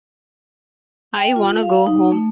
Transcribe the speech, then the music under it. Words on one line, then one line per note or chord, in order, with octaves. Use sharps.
I wanna go home.
G5
F4
F5
D#4
A3